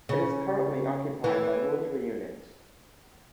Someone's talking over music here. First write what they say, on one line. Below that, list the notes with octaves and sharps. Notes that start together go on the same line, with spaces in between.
It is currently occupied by military units.
C#3
E3